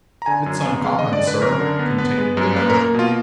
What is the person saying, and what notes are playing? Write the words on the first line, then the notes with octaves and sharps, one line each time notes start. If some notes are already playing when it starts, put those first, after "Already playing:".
"It's uncommon, sir," continued the other.
A#5
D3 G#5
F#2
B3
G#3 F5
D3 D#5
D5
D3
B4
F#2 A#4
D3
B3
B3 B4
G#3
F#2
A#3 B4
A#4
A#3
B2 F4